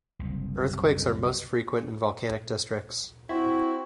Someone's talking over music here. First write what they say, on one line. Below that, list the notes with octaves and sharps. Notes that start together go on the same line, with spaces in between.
Earthquakes are most frequent in volcanic districts.
F#1 C2
C4 E4 F#4